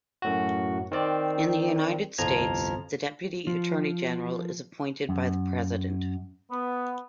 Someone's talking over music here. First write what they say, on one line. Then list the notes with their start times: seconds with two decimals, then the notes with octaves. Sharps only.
In the United States, the Deputy Attorney General is appointed by the President.
0.22 F#2 A2 F#4
0.91 D#3 C4 D5
2.18 G1 C2 F2 F3 A#5 G#6
3.47 F3
5.09 F#2
6.51 B3